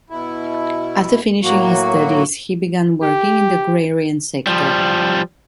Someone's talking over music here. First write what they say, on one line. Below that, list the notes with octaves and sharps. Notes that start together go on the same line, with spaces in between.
After finishing his studies, he began working in the agrarian sector.
B2 E4
A2 F#3 A#3 F#4
G4
F3 G3